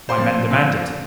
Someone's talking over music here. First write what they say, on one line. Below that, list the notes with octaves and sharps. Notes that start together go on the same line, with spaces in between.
My men demand it.
C5 C6
A#2 F3 C4
A#2 F3 C4